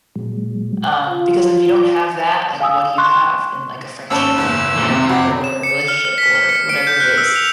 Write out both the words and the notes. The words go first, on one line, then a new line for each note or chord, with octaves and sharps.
um because if you don't have that, like, what do you have in, like, a friendship, you know, or a relationship, or whatever it is?
A#2 F#3 G#3
F4
F5 G#5 D#6 E6
C6 C#6 F#6
G#1 C#4 A5 E6
F#1 E2 G#2
A#2 E3
C3
F2 F#4
E7
C#7
F6
F6
B6
F6
C#7
D7
G6
F#6
E6
F7